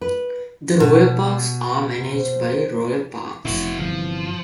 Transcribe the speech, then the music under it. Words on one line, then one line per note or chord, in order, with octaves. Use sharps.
The Royal Parks are managed by Royal Parks.
B4
B2
C5
F1 A2 E4 F#4
G1 C3 E3 F3